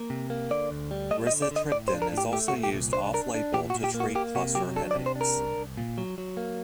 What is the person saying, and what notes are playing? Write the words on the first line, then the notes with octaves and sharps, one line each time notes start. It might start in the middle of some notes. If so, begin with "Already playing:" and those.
Rizatriptan is also used off-label to treat cluster headaches.
Already playing: A#3
C3
A#3
D3 D5
D2
G3
A3 D#5
D#5
D3
D5
D3
D#5
A2 D5
C5
D4
A#4
A2
G4
A3 G4
F#4
A#2
G4
C2
D4 C5
D4 A#4
D4
A#2 G4
F#4
A#2
G4
A#3
F#4
A#3 G4
C3 F#4
F#3 G4
D4 A4
D5
C3
C5
D4
A#4
C2
C2
A#2
F#3
F#3
A#3